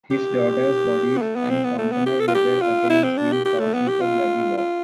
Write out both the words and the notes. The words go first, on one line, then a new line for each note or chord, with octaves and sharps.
His daughters Bodice and Fontanelle rebel against him, causing a bloody war.
G4
B3
A3
B3
C4
B3
A3
B3
G4
A4
F4
G4
F4
E4
C4
D4
G4
G4
A3
B3
G4
F4
F4